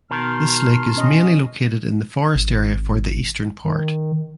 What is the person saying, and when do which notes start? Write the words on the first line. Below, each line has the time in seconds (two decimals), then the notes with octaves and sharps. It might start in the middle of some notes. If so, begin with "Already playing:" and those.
This lake is mainly located in the forest area for the eastern part.
0.11 B2 D#3 A5 C6 F6
0.96 C#4 D#5
2.35 G#1
3.65 D#3